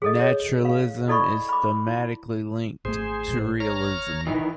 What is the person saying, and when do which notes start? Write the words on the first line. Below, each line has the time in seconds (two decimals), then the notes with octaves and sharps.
Naturalism is thematically linked to realism.
0.02 G#4 A4 D#5
0.20 C#5
0.65 F5
1.08 E4 A4 D5 D#5 B5 C#6
1.49 B5 D6
1.87 E4
2.85 G#1 A3 G#4 C5
3.60 C#5 A#5 F6
4.27 D#3 E3